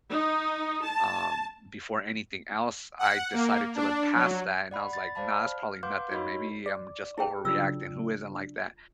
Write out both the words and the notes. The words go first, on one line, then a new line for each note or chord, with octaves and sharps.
um, before anything else, I decided to look past that, and I was like, "Nah, it's probably nothing, maybe I'm just overreacting, who isn't like that?"
D#4
A5
F#5
A#3
D4
F#3
D5 F#5 B5
A6
C5 D5 F5 A5 B5
F6
B4 F5 F#5 C6 D6 G6
D#4 F#4 A#4 C#5 D#5 B5
D5
E4 G#4 G5
C#3 F#3 D4 F4 E6